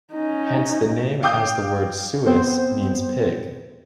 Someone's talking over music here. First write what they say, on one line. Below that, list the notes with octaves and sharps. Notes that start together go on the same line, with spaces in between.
Hence the name as the word "suis" means pig.
C#4 D#4
F5 G5 D6 D#6 G6
B3 C4 C5